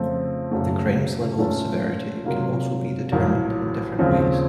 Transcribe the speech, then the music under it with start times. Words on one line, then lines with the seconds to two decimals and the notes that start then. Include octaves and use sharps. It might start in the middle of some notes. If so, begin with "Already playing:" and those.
The crime's level of severity can also be determined in different ways.
Already playing: F2 C#3 A3 C4 F4
0.51 F#1 F#2 C#3 F#3 A3
1.38 A#2 A3 C#4 A4
2.25 C3 F#3 A#3 F4
3.12 A#1 A2 F#3 A#3
3.99 D#2 C#3 F3 C4